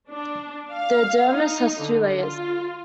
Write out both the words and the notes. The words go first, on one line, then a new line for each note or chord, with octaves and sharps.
The dermis has two layers.
D4
F5
D#4
D3
F4